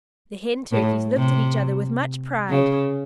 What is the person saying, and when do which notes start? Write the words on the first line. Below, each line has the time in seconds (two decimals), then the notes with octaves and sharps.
The Hen Turkeys looked at each other with much pride.
0.72 A2
1.16 C3
2.50 C#3